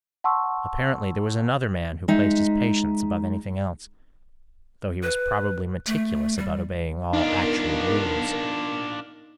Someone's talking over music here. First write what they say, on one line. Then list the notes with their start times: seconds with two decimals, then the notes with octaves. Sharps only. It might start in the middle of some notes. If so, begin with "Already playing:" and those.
Apparently there was another man who placed his patients above anything else, though he was probably meticulous about obeying all actual rules.
0.24 F#5 A5 C6 C#6 E6
2.08 G#3 D#4 E5
5.03 B4
5.87 A3
6.38 G3
7.13 B3 D4 D#4 F4 A#4